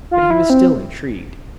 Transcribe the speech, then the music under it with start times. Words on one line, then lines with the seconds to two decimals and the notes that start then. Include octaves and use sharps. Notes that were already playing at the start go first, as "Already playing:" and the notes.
But he was still intrigued.
0.11 F4
0.30 E4
0.50 C4